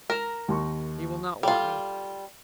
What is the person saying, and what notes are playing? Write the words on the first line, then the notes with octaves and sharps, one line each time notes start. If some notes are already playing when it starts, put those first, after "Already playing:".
"He will not want me."
A#4 A#6 E7 F7
D#2 C6 C#6
G3 F4 A4